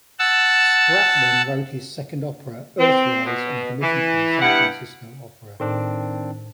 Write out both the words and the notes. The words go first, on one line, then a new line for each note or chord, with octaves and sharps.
Spratlan wrote his second opera, "Earthrise", on commission from San Francisco Opera.
F#5 A5 E6
C4
B2
E3
G2 B3 E4 G4 F#5
A2 D#3 C4 D4